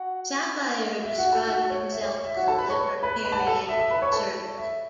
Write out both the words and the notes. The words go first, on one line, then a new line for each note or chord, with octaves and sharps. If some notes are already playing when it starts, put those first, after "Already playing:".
Safire described himself as a libertarian conservative.
Already playing: F#4 F#5
E5
F#4 F#5
A4 A5
F#4 F#5
C#5
E5
C#5
C#5
E5
F#4 F#5
A4 A5
B4 B5
C#5 C#6
C#5 C#6
B4 B5
B5
A5
F#5
A4 A5
E5
E5
B4 B5
C#5 C#6
A4 A5
E5